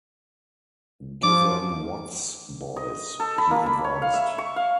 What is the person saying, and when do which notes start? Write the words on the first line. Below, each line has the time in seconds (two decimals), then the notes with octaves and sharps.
"Give 'em Watts, boys!", he advised.
1.23 F3 D6
2.76 D#5
3.20 A4
3.38 B5
3.51 A#3
3.66 B5
3.84 C#5
4.02 F5
4.14 E5
4.38 C#6
4.56 F5